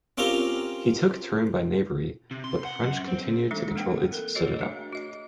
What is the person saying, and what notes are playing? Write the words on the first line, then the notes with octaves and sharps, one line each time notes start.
He took Turin by knavery, but the French continued to control its citadel.
C4 C#4 F4 G4 A#4
C3
C6
F#5
F#2
C4
E3 G#3 A3 D4 D#4 A4
A#3 C4 F#5 G5
A4 A#4
F#4 G#4 C#5 D#5
A3 D4
F#4 D#5